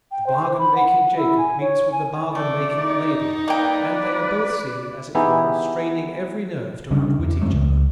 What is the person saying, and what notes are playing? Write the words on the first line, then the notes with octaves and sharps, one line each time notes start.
The bargain-making Jacob meets with the bargain-making Laban, and they are both seen as it were, straining every nerve to outwit each other.
G5
C5
B5
F#5
E4
G#5
C#5
G#5
A3 D5
D#4
A#3 B4 D5 G5
E3 B3 D#4 E4 G4 G#4
C#3 G3 C#4 D4
E2 G2
F#2 A3 C4 C#4
C#2